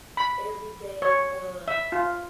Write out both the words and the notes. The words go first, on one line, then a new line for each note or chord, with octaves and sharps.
everyday, uh,
B5
C#5
E5
F4